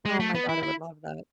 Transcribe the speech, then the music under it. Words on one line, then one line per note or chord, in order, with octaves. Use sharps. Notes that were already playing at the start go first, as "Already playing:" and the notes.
Oh, my daughter would love that.
G#3
A3
B3
E4
E4